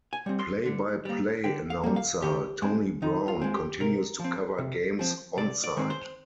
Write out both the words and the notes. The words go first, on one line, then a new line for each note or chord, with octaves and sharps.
Play-by-play announcer Tony Brown continues to cover games on-site.
G#5
G3 C4
C6
D3
G3 A#3
D3 G5
F5
G3 A#3
F5
D#3 G4
G#3 C4
D#3 D#4
F4
G#3 C4
G4
C3 A#4
F3
C4
C3
F3 C4
C3 D5
D5
D#3 G#3 C4
C5